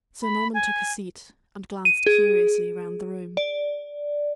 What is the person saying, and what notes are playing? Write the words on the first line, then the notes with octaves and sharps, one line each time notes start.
Sir Norman took a seat, and glanced curiously round the room.
B5
G#5
D#7
G#4
D5